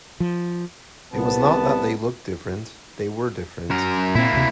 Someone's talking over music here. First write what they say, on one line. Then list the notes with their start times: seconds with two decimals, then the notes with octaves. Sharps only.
It was not that they looked different; they were different.
0.20 F3
1.14 C2 B3 A5
3.70 F#2 A#4
4.15 A#2 A#3 C4 E4
4.33 D2 C3